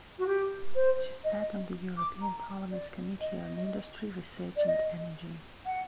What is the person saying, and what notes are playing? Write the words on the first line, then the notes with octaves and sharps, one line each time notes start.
She sat on the European Parliament's Committee on Industry, Research and Energy.
F#4
G4
C5
D#5
D6
A#5
D5
D#5
D5
D#5
F#5